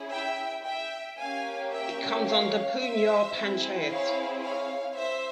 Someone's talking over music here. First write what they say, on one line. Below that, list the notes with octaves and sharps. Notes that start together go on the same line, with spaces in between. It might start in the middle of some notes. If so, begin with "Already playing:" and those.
It comes under Poonjar Panchayath.
Already playing: C#4 E4 G#4
E5 G5
E5 G5
A#3 C#4 G4 F5 G#5
E5 G5
C#5 F5
C5 E5
C4 E4 G#4
C#5 F5
C#5 F5
C5 E5